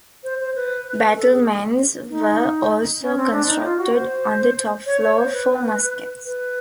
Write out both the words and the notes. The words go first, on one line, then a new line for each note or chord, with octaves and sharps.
Battlements were also constructed on the top floor for muskets.
C5
C5
B4
A4
G#4
D#4
C#4
C4
D4
D#4
F4
F#4
C5
C#5
C#5
C5
B4
B4